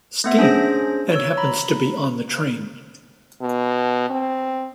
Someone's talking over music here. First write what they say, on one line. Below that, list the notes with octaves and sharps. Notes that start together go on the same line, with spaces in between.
Steam, and happens to be on the train.
A3 B3 E5
C#4 D4 G#4 C5 A#6
C#5 E6
A#5 B5
B2
C4